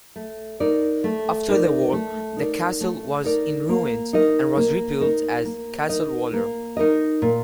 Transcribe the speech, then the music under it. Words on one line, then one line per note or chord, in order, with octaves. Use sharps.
After the war the castle was in ruins and was rebuilt as Castle Waller.
A3
D#4 A#4 D5
A3
D#4 A#4 D5
A3
D#4 A#4 D5
A3
D#4 A#4 D5
A#3
D#4 A#4 D#5
A#3
D#4 A#4 D#5
A#3
D#4 A#4 D#5
A#3
D#4 A#4 D#5
A#2